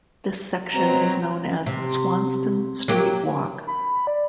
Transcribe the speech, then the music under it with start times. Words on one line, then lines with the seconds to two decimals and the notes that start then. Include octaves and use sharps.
This section is known as "Swanston Street Walk".
0.74 B2 F#3 C4 A#5
1.66 C3
2.88 F#3 A#3 G4
3.67 B5
4.07 D5